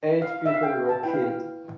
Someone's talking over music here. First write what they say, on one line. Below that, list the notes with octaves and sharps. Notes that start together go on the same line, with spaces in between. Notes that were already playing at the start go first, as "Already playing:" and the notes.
Eight people were killed.
F5
E5
F5
G5
A5
E4 B4 G5
F5
G5